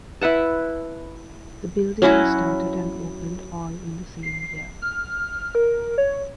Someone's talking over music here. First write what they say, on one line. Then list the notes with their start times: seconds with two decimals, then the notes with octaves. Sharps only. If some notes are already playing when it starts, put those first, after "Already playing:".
The building was started and opened all in the same year.
0.21 E4 B4 F#5 A5
2.02 F#3 C#4 E4 F#4
4.23 C7
4.82 F6
5.55 A#4
5.98 C#5